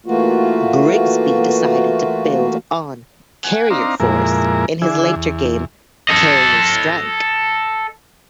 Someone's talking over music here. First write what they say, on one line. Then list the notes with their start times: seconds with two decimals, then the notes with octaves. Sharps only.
Grigsby decided to build on "Carrier Force" in his later game "Carrier Strike".
0.06 E3 A3 A#3 F4 F#4
3.44 F#5 G#5
3.70 C4 D4 D#4 F5 A#5 C6
4.00 F2 A#2 G#3 E4 A#4
4.82 D3 E3 E4 G#4
5.16 E2
6.09 A4 D#5